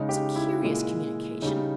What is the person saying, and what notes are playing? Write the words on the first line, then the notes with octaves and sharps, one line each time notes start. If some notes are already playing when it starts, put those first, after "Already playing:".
It was a curious communication.
Already playing: C#3 G#3 D#4
G4
E4
A#2 G#3
C#3 G3 D#4